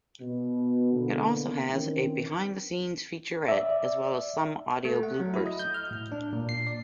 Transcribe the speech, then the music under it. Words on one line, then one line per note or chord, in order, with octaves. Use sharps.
It also has a "behind the scenes" featurette, as well as some audio bloopers.
B2
A2 D3 A#3 B3
D#3 E3 C4 C#4
D5 E5
A3
F#5
F#3
E4
D#5
G6
F6
A2
D4
A#2
C7
D5